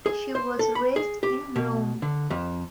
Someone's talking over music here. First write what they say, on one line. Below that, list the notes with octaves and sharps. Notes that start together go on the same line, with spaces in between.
She was raised in Rome.
G#4
C5
A4
B5
G#4
G4
B2
D3
F2